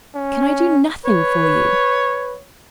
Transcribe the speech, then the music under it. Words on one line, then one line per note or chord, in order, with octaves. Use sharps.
Can I do nothing for you?'
C#4
B4 C#5